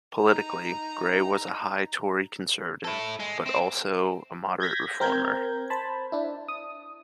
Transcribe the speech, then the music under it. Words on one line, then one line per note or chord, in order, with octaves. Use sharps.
Politically, Gray was a high Tory Conservative but also a moderate reformer.
D#4 A#5
E4 A4
G#3
C4
G6 G#6 A#6 B6
C4 A#4 G6 G#6
C5 A5 B5
D4 E4
D#6